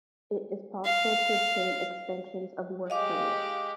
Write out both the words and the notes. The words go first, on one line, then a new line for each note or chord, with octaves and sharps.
It is possible to obtain extensions of work permits.
F5
G#3 G4 D#5 F5 D6